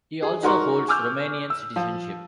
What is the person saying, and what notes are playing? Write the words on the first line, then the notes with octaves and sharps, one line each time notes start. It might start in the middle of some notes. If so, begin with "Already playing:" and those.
He also holds Romanian citizenship.
G#4
D#4 F#4 A#4 C6 C#6
G#5 C#6 D6 E6 F6 G6
E6
F3